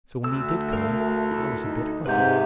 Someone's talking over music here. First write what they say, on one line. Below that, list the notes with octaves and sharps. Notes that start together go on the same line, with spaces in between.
So when he did come, I was a bit huffy.
D2 A3 E6
A#4 F5
E4 A4
D#4
G#2 C3 B4 G6